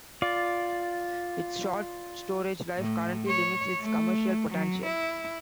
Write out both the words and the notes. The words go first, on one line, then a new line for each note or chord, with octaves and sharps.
Its short storage life currently limits its commercial potential.
F4 D5
A2
C#5
A3
F#3
E4